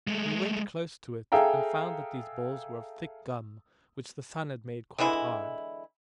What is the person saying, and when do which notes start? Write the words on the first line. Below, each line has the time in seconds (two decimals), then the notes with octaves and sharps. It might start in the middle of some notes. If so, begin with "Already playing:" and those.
We went close to it, and found that these balls were of thick gum, which the sun had made quite hard.
0.07 G#3 A3
1.32 G#4 A4 E5 F5 G5 A#5
4.98 D3 E3 G#3 E4